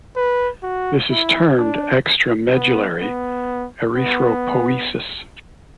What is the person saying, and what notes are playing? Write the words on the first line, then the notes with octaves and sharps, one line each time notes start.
This is termed "extramedullary erythropoiesis".
B4
F#4
E4
D4
B3
B3
B3